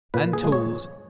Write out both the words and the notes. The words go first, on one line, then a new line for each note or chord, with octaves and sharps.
And tools.
A#2 B4
G#4
F3 G#3
C#5